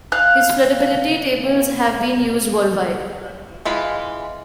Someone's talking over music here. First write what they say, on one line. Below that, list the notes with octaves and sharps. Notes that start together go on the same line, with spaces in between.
His floodability tables have been used worldwide.
F5 F#6
E3 G#3 F4 B5